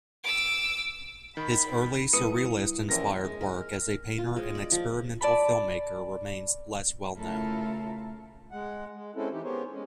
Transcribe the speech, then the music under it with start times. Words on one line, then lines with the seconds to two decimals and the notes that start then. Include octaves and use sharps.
His early, surrealist-inspired work as a painter and experimental filmmaker remains less well known.
0.24 D6 E6
1.37 D#3 B5
2.13 G2 E4 B4 D#6 C#7 D#7
2.89 A#1 E3 C#4 A#4 A#6
3.25 G#3
3.41 A#4
4.18 F4
4.36 G#3
4.55 D5
4.72 F3
5.21 D5 A5 B5
7.16 C#3 A3 E4 F4 A4 A#4
8.52 G#3 F#5
8.92 G#3
9.15 G#3 C4 C#4 E4 A4
9.32 E3 D#4 G4
9.44 B3 G4 G#4 A#4 C5 C#5
9.72 G#3 C#4